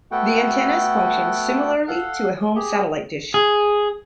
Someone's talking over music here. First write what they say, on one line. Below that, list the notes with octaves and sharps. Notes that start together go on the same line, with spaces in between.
The antennas function similarly to a home satellite dish.
A3 B3 F#4 A4 F#5 G5
A4 F5 F#5
G4 G#4
G#4